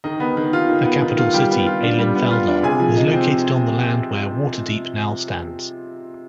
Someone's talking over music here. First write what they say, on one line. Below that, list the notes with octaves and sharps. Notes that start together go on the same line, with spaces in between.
The capital city, Aelinthaldaar, was located on the land where Waterdeep now stands.
D#3 D#4 D#5
B3
D#3
F4
D#3
B3
D#3
F4
G3 G4 G5
B3
F4
D4
G3
B3
F4
D4
C3 G#4 G#5
F3
D#4
C4